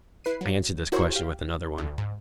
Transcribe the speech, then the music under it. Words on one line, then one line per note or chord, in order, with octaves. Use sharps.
I answered this question with another one.
E4 B4 C7 D#7
F#3
E4 F#4 G#4 A#4 C5 C#5
G4 F5
D2
G#2